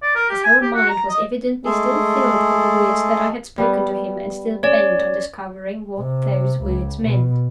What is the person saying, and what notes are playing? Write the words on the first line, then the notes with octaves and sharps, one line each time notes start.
His whole mind was evidently still filled with the words that I had spoken to him, and still bent on discovering what those words meant.
D5
A#4
G4
G#5
G4
F#4
A#5
D#5
G#3 A3 G#4 A4
G3 B3
C#4 C#5 D5
C3
C#2
B2